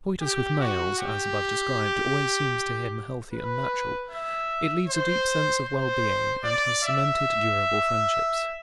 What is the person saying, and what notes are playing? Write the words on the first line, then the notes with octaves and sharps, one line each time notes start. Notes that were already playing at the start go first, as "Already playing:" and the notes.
Coitus with males, as above described, always seems to him healthy and natural; it leaves a deep sense of well-being, and has cemented durable friendships.
G4
F#4
G4
B4
E5
C5
C5
D5
E5